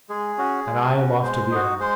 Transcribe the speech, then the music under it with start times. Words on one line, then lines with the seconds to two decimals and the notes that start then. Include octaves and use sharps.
And I am off to the army.
0.09 G#3 G#4
0.38 C#4 F#4
0.66 G#3
0.95 C#4 F#4
1.22 G#3 C5
1.51 D#4 F#4
1.79 G#3 C5